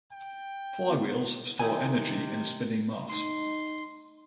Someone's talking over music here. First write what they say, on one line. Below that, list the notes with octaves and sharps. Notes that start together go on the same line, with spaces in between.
Flywheels store energy in a spinning mass.
G5
B3
C3 D#3 C4 D#4 E4 G#5
D#4 C6